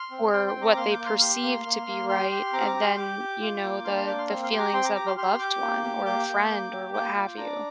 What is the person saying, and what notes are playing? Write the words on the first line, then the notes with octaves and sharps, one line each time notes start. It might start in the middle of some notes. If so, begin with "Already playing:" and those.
or what they perceive to be right, a than, you know, the the feelings of a loved one or a friend or what have you.
Already playing: C6 F6
C4
C4 G5 C6
G5 C6
C4
A#5 D6
A#3 C6 F6
D6 G6
A#3
C6 F6
G4 C6 F6
A#3
A#3
A#3
G4 C6 F6
G4
C4 A#5 D6
F6
A#5 D6
G4
C6 F6
G4 D6 G6
G4
F4
A#3
D4 C6 F6
C6 F6
A#3 D6 G6
C6 F6
C4 C6 F6
C6 F6
G4
A#5 D6
C4 G5 C6
A#5 D6
G4 A#5 D6
C6 F6
G4 C6 F6
G4 D6 G6
A#3
G4
A#3 D6 G6
A#3
A#3
G4
A#3 D6 G6
F4
D4 A#5 D6